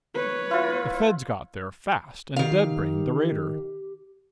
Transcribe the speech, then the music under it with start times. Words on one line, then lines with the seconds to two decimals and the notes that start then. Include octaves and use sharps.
The Feds got there, fast, and dead-brained the raider.
0.15 B4 C#5
0.51 E4 F4
2.36 D#3 G4 F5